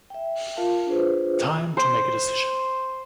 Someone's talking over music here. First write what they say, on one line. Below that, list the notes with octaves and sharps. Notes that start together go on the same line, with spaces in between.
Time to make a decision.
E5 G5
F4 A#4 F5 A5
D4 F4 G#4 B4 C5
C5